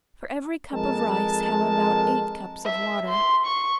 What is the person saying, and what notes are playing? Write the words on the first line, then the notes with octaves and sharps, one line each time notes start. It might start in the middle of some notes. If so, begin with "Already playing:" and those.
For every cup of rice have about eight cups of water.
F2 G#3 A#4 A5
E5
C6
C#6